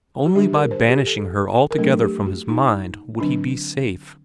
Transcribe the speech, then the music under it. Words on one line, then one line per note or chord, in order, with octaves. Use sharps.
Only by banishing her altogether from his mind would he be safe.
F#4
D3 G3 D4 G4
A#4
C5
G4
A4
A#4
F#3 A3 D4 A4
G4
F#4
D#4
D3 F#3 C4 D4